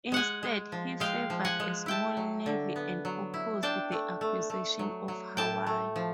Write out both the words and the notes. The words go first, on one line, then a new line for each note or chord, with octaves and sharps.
Instead, he favored a small navy and opposed the acquisition of Hawaii.
G#3 F#5 G#5
G#3
F3
G#3 F5 G5
F3
F#5 G#5
G#3
E4 G5 A5
F#3
D3
B3
F#3
E4
D4 G5 A5
A3
A3
A3
F#3
F#3
A2 G5 A5
A3
F3